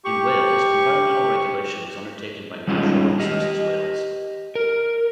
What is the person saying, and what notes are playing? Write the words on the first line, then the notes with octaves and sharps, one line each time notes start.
In Wales environmental regulation is undertaken by Natural Resources Wales.
G4 C#6
G3 G#3 C#4 D#4 F4
G4 D#5
A#4